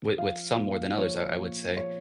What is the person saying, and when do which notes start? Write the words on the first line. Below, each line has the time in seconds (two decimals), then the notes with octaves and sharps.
with with some more than others, I I would say.
0.18 F3 F5
0.59 A#2
0.98 F3 C#5
1.38 A#2
1.77 F3 C#5